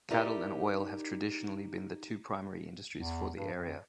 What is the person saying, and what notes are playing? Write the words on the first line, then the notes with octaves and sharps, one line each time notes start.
Cattle and oil have traditionally been the two primary industries for the area.
D#4 E4 G4 A#4 D5
E2
G2
F2